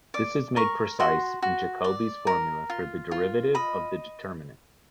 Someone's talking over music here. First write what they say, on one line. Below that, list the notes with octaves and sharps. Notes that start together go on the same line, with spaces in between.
This is made precise in Jacobi's formula for the derivative of the determinant.
D5 D6
A#4 C#6
F#4 C6
F#4
D5
A#4
F4
F4
D#5 B5